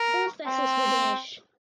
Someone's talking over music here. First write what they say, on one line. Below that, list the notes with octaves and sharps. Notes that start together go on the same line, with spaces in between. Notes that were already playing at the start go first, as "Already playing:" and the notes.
Both vessels were Danish.
Already playing: A#4
C4